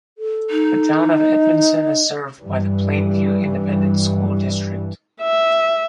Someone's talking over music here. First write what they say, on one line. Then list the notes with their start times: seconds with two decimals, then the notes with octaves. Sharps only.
The Town of Edmonson is served by the Plainview Independent School District.
0.18 A4
0.50 D#4
1.18 D#5
2.40 G2 E3 G3
5.21 E5